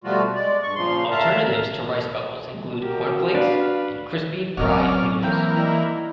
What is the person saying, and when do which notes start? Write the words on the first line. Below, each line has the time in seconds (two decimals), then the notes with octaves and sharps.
Alternatives to Rice Bubbles include Corn Flakes and crispy fried noodles.
0.04 B2 F3 G3 A3 F4 F#4
0.35 G#3 D5
0.63 G2 C#6
0.75 A#2 C#3 F3 C6
1.11 A#4 E5 F5 A5 A#5
1.47 A#4
2.81 F#4 G4 A#4 G5
3.35 D4 B4 F5
4.57 F#3 C4 C#4 A#4 D5 D#5 F#5 F6
5.23 E3 F3 A#3 G5
5.57 F3 G3 D#4 E4